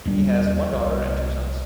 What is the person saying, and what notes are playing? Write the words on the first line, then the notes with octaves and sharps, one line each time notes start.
He has one daughter and two sons.
D#2 G3
C2